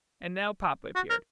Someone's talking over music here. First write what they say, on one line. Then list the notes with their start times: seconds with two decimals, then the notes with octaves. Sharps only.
And now Papa appeared.
0.96 F#4
1.10 A#4